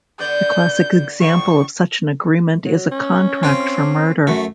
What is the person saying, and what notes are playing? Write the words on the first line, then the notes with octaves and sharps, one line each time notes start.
The classic example of such an agreement is a contract for murder.
D3 B3 D5 G6
A2 F3 F4 C#6
F#3
C#4
C4 F4
F#2 A3 F#4